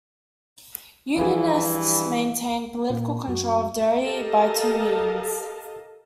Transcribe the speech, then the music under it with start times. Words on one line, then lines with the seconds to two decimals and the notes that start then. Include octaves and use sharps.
Unionists maintained political control of Derry by two means.
1.17 G2 E3 F3 E4 G#4
2.90 A#2 A#3
3.28 F#2 F#4
4.01 G4 A4 A#4 D#5 F5 A5